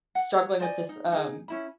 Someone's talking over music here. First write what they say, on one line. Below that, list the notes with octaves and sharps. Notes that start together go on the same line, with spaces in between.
Struggling with this, um,
F#5
C#5
C5 D5 D#5 G#5
D#4
D#4 G#4
C#4 E4 B5